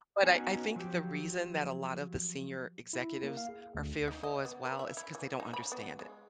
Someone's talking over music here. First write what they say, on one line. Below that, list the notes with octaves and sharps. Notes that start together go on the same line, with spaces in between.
but I I think the reason that a lot of the senior executives are fearful as well is 'cause they don't understand it.
B3 C#4 D#4 F#4 G#5
F3 F#3 G4
E4
A#3
F5
G#4
D2
D#4
D#5
B3
B4
E5
E4
E3
D#4
B5
B3
G#3